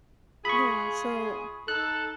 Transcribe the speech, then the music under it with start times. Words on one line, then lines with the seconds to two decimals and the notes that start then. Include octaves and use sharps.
Yeah. So,
0.45 G#3 F4 G#4 B5 C#6
1.68 D#4 A4 F#6